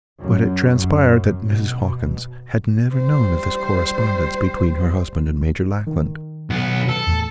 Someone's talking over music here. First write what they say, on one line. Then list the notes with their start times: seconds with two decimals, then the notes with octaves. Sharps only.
But it transpired that Mrs. Hawkins had never known of this correspondence between her husband and Major Lackland.
0.21 F#2
0.72 F#2
1.48 B2
2.94 G3 C5
5.87 D#3
6.50 B1 B3
6.89 A4
7.07 E2 A2